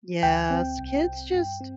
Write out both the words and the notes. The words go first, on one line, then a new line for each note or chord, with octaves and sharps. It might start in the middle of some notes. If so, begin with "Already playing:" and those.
Yes, kids just
D2 G5
C4
C2
C2
G2
C4